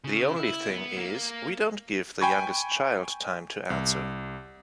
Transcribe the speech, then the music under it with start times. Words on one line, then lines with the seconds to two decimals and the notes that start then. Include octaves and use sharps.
The only thing is, we don't give the youngest child time to answer.
0.04 C#3
0.36 E4
0.70 B3
0.97 A#3
2.21 G5 G#5 B5 C#6 G#6
3.70 C2